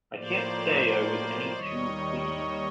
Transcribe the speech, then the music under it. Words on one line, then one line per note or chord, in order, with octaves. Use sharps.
I can't say I was any too pleased.
A2 F3 A#3 C5 D5
D#2 D#3 G3 C#5 D#5